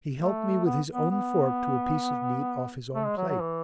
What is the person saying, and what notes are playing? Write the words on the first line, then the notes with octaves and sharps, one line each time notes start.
He helped me with his own fork to a piece of meat off his own plate.
A3
B3
B3
B3
A3
G#3
F#3
F#3
E3